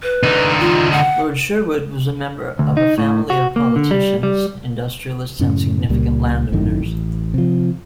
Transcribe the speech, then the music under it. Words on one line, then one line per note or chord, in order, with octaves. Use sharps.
Lord Sherwood was a member of a family of politicians, industrialists and significant landowners.
B4
D3 D#4
F4
F#5
D2
D#4
A2
F#4
A#3
D3
G3
G3
F#2 A2 C#3 C#4
C#2 A#2 G3
G#1 F#2 A2 D#3
A1
C3 F3